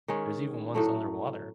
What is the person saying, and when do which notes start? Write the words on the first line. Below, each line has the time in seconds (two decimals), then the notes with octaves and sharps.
There's even ones underwater.
0.08 D#3 G#3 C#4
0.75 A2 F#3 A3